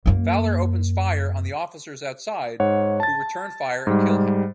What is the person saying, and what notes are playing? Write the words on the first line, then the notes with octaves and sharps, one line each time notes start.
Fowler opens fire on the officers outside, who return fire and kill him.
F#2 A#3
G#2 C#5 F#5
A5 A6
G#2 G3